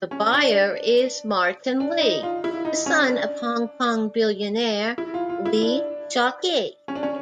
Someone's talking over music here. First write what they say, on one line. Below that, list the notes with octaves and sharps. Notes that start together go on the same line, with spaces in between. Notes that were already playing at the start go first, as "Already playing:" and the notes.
The buyer is Martin Lee, the son of Hong Kong billionaire Lee Shau-kee.
C#4
D4
D4
D#4
F4
E4
D#4
C#4
D4
E4
F4
F4
E4
D4
C#4
D4
C#4